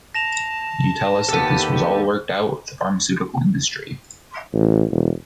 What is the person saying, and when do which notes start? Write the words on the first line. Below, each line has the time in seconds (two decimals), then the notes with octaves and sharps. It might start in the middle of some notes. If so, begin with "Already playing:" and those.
You tell us that all of this was worked out with the pharmaceutical industry.
0.15 A5 A#6 E7 F7
1.29 D#2 D#3 B3 G4 A4
4.53 A1
4.91 E1